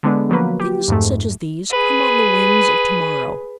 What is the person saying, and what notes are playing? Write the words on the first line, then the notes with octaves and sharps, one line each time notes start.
Things such as these come on the winds of to-morrow.
D3 G#3 B3 D4
F3 F#3 A#3 B4
G4
F2 G#2 A3
G#4 B4